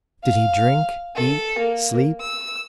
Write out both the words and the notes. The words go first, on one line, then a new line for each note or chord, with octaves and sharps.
Did he drink, eat, sleep?
F5
A4
A#3
E6